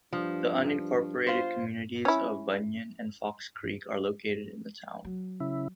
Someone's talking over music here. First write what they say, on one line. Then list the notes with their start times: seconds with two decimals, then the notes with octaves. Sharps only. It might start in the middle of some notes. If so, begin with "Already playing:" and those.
The unincorporated communities of Bunyan and Fox Creek are located in the town.
0.13 G2 F3
1.27 F4 C5
2.05 C#4 E4
5.05 F#3
5.40 C#3 E4